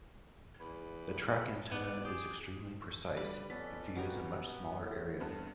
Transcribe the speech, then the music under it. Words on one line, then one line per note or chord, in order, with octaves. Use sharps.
The track antenna is extremely precise, but views a much smaller area.
E2 B4
B3 D5
G4 G#4
D2 G3 B4 D5 D6
F2 B3 C#4 A4 D5 B6
F#3 G3 B3 C#4 F#4 G4 A#5
A2
G2 B3 C4